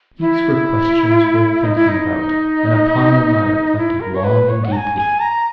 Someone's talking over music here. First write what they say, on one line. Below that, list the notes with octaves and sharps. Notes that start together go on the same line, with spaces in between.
These were questions worth thinking about, and upon them I reflected long and deeply.
E4
D#4
E4
D#4
E4
A#4
C#5
B4
C#5
F#5
A#5
G#5
G#5
A#5